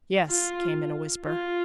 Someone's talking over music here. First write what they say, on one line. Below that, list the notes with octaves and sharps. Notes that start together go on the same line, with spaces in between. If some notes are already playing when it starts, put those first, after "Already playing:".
"Yes," came in a whisper.
F4
F4